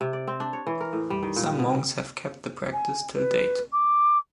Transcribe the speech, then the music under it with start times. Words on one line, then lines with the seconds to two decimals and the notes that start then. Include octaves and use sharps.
Some monks have kept the practice till date.
0.01 C3
0.13 D5
0.27 C4
0.40 D4
0.53 C#5
0.67 E3
0.80 A#4
0.93 A2
1.10 G3
1.23 D#3
1.36 A#2
1.59 B2
2.73 G#5
3.15 B4
3.72 D6